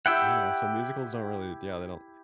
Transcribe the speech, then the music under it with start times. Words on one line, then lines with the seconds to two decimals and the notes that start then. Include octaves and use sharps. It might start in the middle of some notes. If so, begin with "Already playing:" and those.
You know, so musicals don't really yeah, they don't
0.06 E4 G4 F#5 G5 E6